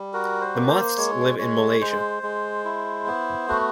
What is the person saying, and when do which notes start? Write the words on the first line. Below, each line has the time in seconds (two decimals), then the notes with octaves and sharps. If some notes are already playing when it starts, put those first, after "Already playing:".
The moths live in Malesia.
Already playing: G3
0.13 F#4 A#4
0.41 C5
0.54 A#3
0.68 C5
0.97 G#3 C#5
1.39 G#3 C#5
1.81 G#3 C5
2.23 G#3
2.65 E4
3.07 B3
3.48 A3 F#4